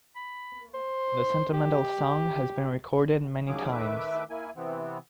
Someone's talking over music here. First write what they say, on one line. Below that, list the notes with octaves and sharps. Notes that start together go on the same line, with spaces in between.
The sentimental song has been recorded many times.
B5
C5
G4
D#2 F3 F#3 C#4 G#4 D6
D#3 A3 B4 E5 D6
A#3 E4 G#5
C3 E3 B3 C4